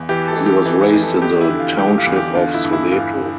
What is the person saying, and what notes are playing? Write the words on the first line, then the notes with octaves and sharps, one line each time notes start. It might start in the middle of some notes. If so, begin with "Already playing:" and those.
He was raised in the township of Soweto.
Already playing: E2
E3 G4
A4
E3
G4
E3
F2
A4
E2 G4
E4
D3
F4
D3 G4
F4
E2
G4
D3 F4
E4
G2
E4
G2 F4